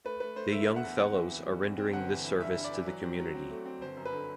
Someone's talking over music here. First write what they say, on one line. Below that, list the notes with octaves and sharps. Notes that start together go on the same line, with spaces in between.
The young fellows are rendering this service to the community.
A3 B4
A3 B4
A3 C5
D3 E5
A3
F#5
E2
C4 F#5
E3
E3
G3
C4
C4
G1 F#5
E3
E3
G2 E5
G2
D5
E3
F#3
C4
F#3
C4
A3
C4
G1 C5
F#2
B4
D3